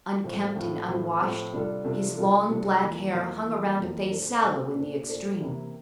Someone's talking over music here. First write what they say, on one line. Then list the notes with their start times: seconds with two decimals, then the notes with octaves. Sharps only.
Unkempt and unwashed, his long, black hair hung around a face sallow in the extreme.
0.24 A2 F3 C4 F4
0.56 A2 F3 C4 F4
0.88 A2 F3 C4 F4
1.20 A2 F3 C4 F4
1.53 C3 G3 D4 F4 A4
1.85 C3 G3 D4 F4 A4
2.17 C3 G3 D4 F4 A4
2.49 C3 G3 D4 F4 A4
2.82 F2 E3 A#3 F4
3.14 F2 E3 A#3 F4
3.47 F2 E3 A#3 F4
3.78 F2 E3 A#3 F4
4.11 A#2 A3 D4 A4 C5
4.43 A#2 A3 D4 A4 C5
4.75 A#2 A3 D4 A4 C5
5.08 A#2 A3 D4 A4 C5
5.39 C3 E3 A#3 E4 G4